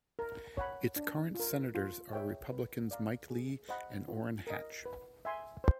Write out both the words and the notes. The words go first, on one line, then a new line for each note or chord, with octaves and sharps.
Its current senators are Republicans Mike Lee and Orrin Hatch.
A#4
C#5 F#5 B5
D4
F4 A#4
F4
G#4 C#5 E5 G5
B4
D5 F5 A#5
G#4
C5 D#5 F#5 B5
F4
A#4 D#5
B4
E5 G#5 C6
C5